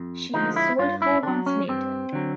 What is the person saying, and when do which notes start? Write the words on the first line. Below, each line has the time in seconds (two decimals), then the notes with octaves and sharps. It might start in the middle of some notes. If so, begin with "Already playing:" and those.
She was sold four months later.
Already playing: F2
0.34 D3 F3 G#3 D#4
0.56 E4
0.79 G2 F4
1.02 E4
1.23 D3 F#3 D4
1.46 C#4
1.68 G2 C4
2.13 D3 F#3